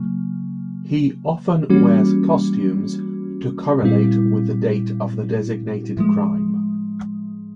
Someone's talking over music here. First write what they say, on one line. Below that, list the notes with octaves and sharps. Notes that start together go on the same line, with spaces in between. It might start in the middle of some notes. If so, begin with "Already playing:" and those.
He often wears costumes to correlate with the date of the designated crime.
Already playing: C#3 F#3 A#3
E3 G3 A#3 C#4 F#4
A#2 G3 C4 E4
A2 F3 G#3